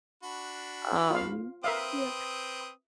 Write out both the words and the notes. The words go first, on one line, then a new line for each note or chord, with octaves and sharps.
um, yeah.
D4 F#4 B5
F4 F5
C4 A#4 B4 E5 F5 D#6